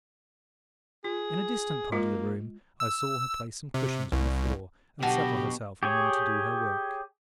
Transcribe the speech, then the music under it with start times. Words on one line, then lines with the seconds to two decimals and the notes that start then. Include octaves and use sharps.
In a distant part of the room I saw her place some cushions on the floor, and settle herself on them to do her work.
1.04 F4 G#4
1.92 G#3 A#3 F4
2.80 E6
3.74 C3
4.12 C2
5.03 B1 B2 D3 F#4 G4 A5
5.83 G4 G#4 C#5